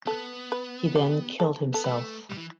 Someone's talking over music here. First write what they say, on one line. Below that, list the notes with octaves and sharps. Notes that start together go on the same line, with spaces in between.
He then killed himself.
B3 A4
B4
G4
A4
B3 A4
A3 B4
G3
E3